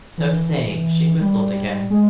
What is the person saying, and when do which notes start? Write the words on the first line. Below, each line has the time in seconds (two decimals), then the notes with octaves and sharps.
So saying, she whistled again.
0.18 E3
1.21 G3
1.90 G#3